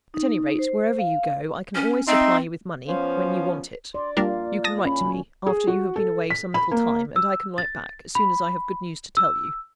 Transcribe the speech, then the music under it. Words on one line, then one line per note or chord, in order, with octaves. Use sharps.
At any rate, wherever you go, I can always supply you with money, when you want it; you can write to me, after you have been away some little time, and I can write back, as soon as I have good news to tell you.
D#4
C5
F5
C#4
C4 D#4 E5 C6
F3 B3 C#4 C5 F5
D5 C6
G3 A#3 D4 F4 A#4 D5
A5 D#6 A#6
C#4 B5
F#3
G#4
F#4
A4
B6
B5
A#3
E6
A6
B5
E6